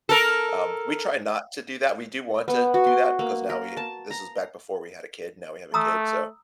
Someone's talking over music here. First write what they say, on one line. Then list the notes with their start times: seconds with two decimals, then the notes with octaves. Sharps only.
Um, we try not to do that, we do want to do that because now we this is back before we had a kid, now we have a kid so,
0.09 A4 A#4
2.48 B3
2.74 F#4
2.87 C6
3.19 A#3
3.50 A#4
3.77 A5
4.11 A#5
5.74 A3 A#5 D#6 E6